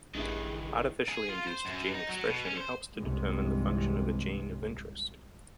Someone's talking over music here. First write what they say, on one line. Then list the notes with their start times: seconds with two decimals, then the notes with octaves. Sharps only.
Artificially induced gene expression helps to determine the function of a gene of interest.
0.15 A1 G2 D#3 E3 A3 G#4 E5
1.09 G#4
1.29 F4
1.47 C5
1.65 F#2
1.95 D#4
2.09 F#3
2.26 B2
2.45 C#4
2.57 C5
2.99 G1 C2 G#2 C3 E3